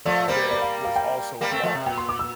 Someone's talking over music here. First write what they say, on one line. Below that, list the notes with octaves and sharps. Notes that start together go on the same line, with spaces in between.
that was also a bar,
F3 A3 D5
G3 A#3 C5
D5
F5
F5
G5
G3 A#3
A3 C4
F3 A3
C3
A#2 G5
C6
D6
E6